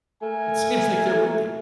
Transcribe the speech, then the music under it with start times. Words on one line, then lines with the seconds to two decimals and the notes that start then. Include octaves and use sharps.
It seems like there would be.
0.22 A3 A#4 G#5